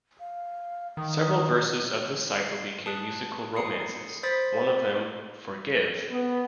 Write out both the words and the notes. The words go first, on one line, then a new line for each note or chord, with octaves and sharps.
Several verses of this cycle became musical romances, one of them, Forgive!
F5
D#3 D#6
C7
A5 D#6 F#6
D#6 C7 C#7
C5 B5 D#6 A6 B6
B3